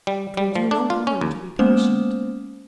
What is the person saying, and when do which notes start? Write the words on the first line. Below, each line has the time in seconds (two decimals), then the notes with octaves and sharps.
It will do no harm to be patient.
0.07 G3
0.37 G3
0.55 F3
0.71 D4
0.90 F4
1.07 C#4
1.21 D#2
1.59 G#3 A#3 B3 C#4 C5